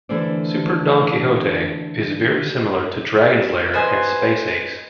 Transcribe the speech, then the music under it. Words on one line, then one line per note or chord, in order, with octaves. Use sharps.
"Super Don Quix-ote" is very similar to "Dragon's Lair" and "Space Ace".
D3 E3 A3 A#3 C5 D5
B4 C5 D#5 G#5